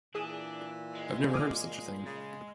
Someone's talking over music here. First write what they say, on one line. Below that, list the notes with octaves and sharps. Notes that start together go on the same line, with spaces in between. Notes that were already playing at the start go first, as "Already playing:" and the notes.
I've never heard of such a thing.
A#2 E3 D4 G#4 D#6
G#3
D6 D#6 F6
C#3